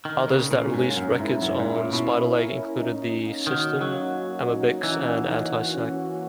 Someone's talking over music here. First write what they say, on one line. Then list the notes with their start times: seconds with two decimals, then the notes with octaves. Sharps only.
Others that released records on Spiderleg included The System, Amebix and Antisect.
0.05 D#3 A#4
0.28 C#3 A#3
0.51 A#2 C#4
0.73 G#2 A#3
0.96 F#2 A#4
1.19 G#2 E4
1.41 F#2 E4
1.59 G#2
1.65 A#3
1.76 A#2
1.88 A#3
1.93 B2
2.10 E4
2.32 A#4
2.56 C#4
2.79 D#4
3.01 D#4
3.25 A#3
3.47 D#3 F#4
3.70 F#4
3.81 F#3
3.93 A#3
4.15 A#3
4.38 F#4
4.61 D#4
4.83 E3 D#4
5.07 A#3
5.29 A#3
5.52 F#4
5.74 C#4
5.98 F#4